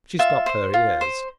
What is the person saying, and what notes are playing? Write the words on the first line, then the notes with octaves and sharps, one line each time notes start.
She stopped her ears.
F4 E5
C5
F4
C5